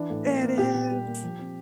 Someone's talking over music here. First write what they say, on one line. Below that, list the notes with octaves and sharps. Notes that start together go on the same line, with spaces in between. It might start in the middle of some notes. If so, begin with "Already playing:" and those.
It is.
Already playing: E3 D4
A2
A#3
A#3
A#2 G4
A#2
G3
A#3
F3
C4